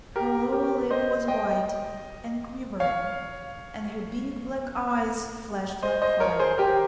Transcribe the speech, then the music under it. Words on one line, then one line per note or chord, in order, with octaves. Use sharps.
Her lower lip was white and quivering and her big black eyes flashed like fire.
G4 A#4
G4 A#4
C5 D#5
D#5 G5
C#5 F5
C5 D#5
C5 D#5
A#4 C#5
G#4 C5
G4 A#4